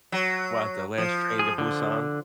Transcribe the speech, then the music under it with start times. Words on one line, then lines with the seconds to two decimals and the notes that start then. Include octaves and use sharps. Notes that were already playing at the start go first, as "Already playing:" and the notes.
What, the last Train to Busan?
0.12 F#3
0.98 F3
1.39 G#4
1.58 D3